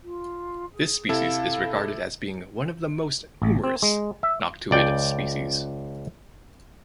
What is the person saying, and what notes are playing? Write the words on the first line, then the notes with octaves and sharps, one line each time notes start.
This species is regarded as being one of the most numerous noctuid species.
F4
G#4
C3 E4 A4 F5
A1
C4
G#3
E5
C#2 D5 G5